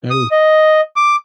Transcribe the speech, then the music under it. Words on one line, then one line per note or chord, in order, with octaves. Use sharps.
that is.
D#6
D#5
D6